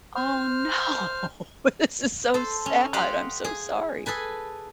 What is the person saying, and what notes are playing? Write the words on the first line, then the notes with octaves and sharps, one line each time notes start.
Oh, no, this is so sad, I'm so sorry.
C5 F6
A4 C5
C#4
G4 C5 D#5 F5 F#5
G#4
G#4 A4 B4 G#5